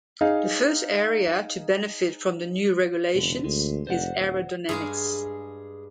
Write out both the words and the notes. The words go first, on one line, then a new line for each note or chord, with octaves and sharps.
The first area to benefit from the new regulations is aerodynamics.
D#4 G#4 F5
F1 B2 D3
D2 G#3
F1 C5 D5 F#5
D#1
G2 G#3 G#4 F5